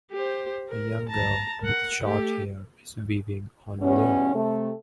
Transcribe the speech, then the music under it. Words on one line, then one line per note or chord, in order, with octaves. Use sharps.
A young girl with short hair is weaving on a loom.
G4 C5
A#4
A5 A#5
A#4 F#5
A3 G4
E2 G2 B2 C#4
C3 A3